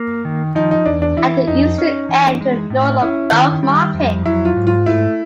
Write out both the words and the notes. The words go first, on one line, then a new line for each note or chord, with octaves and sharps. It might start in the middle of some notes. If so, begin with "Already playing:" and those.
At the eastern end to the north is Borough Market.
Already playing: A#3
D#3
F3 D#4
D#4
E2 D4
D4
E3 E4
F2 D#4
C#4
E3
G#3
A2
C#4 E4
D#3
G3
F2
F#3 E4
F4
G#2
F4
A3 E4